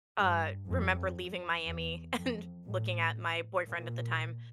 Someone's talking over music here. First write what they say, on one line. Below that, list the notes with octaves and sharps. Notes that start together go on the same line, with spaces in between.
uh, remember leaving Miami and looking at my boyfriend at the time,
G2
F2
E2
F2
A2
A#2